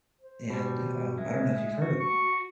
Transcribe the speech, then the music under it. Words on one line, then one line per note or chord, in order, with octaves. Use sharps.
and, um I don't know if you've heard of him.
C5
B2 G3
G#3 E5
F#4
C#6